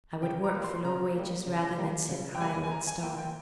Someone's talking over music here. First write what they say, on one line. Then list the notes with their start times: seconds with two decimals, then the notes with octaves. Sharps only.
I would work for low wages rather than sit idle and starve.
0.22 C#3 G5
0.44 A#5
0.54 G3 A#3
0.64 C6
0.85 C#3 A#5
1.16 G3 A#3
1.47 C#3
1.78 G3 A#3
2.09 C#3
2.35 G5
2.41 G3 A#3 G#5
2.64 G#5
2.71 E3 A#5
2.87 G#5
3.03 A#3 F4 G5
3.18 G5